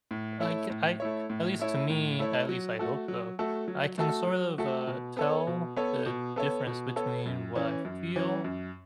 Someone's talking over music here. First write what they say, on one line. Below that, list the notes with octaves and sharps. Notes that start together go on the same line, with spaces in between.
I c I at least to me at least I hope so, I can sort of, uh, tell the difference between what I feel,
A2
A3 E4 C#5
A2
A3 E4 C#5
A2
A3 E4 C#5
A2
A3 E4 C#5
F#3
A3 F#4 A4
F#3
A3 F#4 A4
F#3
A3 F#4 A4
F#3
A3 F#4 A4
B2
B3 A4 C#5
B2
B3 A4 C#5
B2
B3 A4 C#5
B2
B3 A4 C#5
F#2
E3 C#4
F#2
E3 C#4
F#2